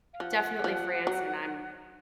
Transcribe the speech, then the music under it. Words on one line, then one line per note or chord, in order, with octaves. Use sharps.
definitely France and I'm
F5
F3 F#5
F3
F#3